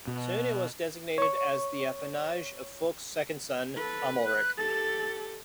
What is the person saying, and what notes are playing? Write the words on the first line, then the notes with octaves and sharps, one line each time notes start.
Soon it was designated as the apanage of Fulk's second son, Amalric.
B2
C#5 C#6
A4 B4
F#6
G4 A4 A6